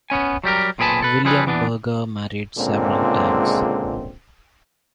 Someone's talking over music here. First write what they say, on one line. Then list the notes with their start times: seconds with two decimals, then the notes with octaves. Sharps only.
William Berger married several times.
0.10 B3 C#4 G#5
0.44 F#3 G3 G4 A#4
0.78 B1 A#2 C4 G#4 B4 A5
1.02 A4 B4
1.25 F3 G3 G#4 A4 B4
1.46 E2 E3 B3 D4
2.58 C#2 A#2 D3 G#3 C4